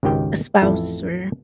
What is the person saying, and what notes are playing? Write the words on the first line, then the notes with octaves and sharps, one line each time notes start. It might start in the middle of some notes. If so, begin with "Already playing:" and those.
a spouse or
G#1 C#2 D#3 G4 G5
A1 F2 E4 A4 E5